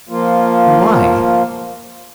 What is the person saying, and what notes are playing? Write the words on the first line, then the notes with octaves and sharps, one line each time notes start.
And why?
F3 A#3 F4